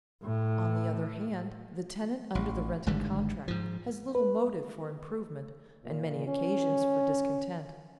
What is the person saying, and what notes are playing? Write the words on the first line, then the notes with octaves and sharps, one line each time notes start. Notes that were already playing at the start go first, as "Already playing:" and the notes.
On the other hand, the tenant under the renting contract has little motive for improvement, and many occasions for discontent.
A2
A1
G#1 G#2 D3 G3
G#2 F3
B4
A#2
C#4